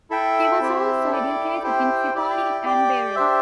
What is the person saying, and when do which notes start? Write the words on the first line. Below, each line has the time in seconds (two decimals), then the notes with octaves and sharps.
He was also educated in Tripoli and Beirut.
0.10 E4 A4 E5 G5
0.61 C4 E4 G4 E5
1.12 E4 A4 D5 G5
1.63 E4 G4 C5 G5
2.14 E4 G4 D5 G5
2.65 G4 D5 G5
3.16 D4 G4 C5 E5